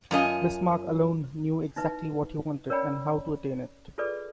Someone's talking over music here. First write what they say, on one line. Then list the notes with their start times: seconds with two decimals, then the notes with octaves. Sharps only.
Bismarck alone knew exactly what he wanted, and how to attain it.
0.11 F#2 F4 D#5 G#5
1.76 D#4 E4 B4 E5
2.69 C#4 A#4 C#5 D5 G5 B5
3.98 F4 G#4 A4 B4 D5